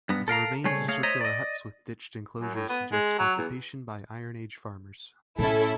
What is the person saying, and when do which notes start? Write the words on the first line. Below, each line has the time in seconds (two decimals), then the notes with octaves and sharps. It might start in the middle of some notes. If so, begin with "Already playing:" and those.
The remains of circular huts with ditched enclosures suggest occupation by Iron Age farmers.
0.09 G2 B3
0.28 A4 A#4 F5 A#5
0.64 C2 C#3 A3 G#4 C#5
0.88 A3 G#4 C#5 F5
1.03 C5 C#5 D#5 E5 A#5
1.21 D5 D#5
2.41 F#2
2.54 A2
2.69 B3
2.92 G#3
3.19 F#3
3.38 E2
5.39 A2 C#4 E4 A4